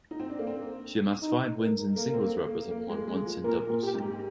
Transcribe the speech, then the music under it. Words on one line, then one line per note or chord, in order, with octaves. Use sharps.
She amassed five wins in singles rubbers and won once in doubles.
D#4
C4
D4
A#3
C4
D#4
A#4
A#3
C4
A#3
A#3
A#3
G#3
A#3
G#3
F3
A#2 A#4
A#2
G4
G#2